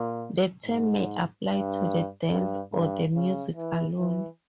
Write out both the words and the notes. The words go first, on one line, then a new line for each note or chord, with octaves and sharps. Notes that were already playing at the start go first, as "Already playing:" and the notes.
The term may apply to the dance or the music alone.
Already playing: A#2
G#2
G2
G2
G2
C#3
E3
E3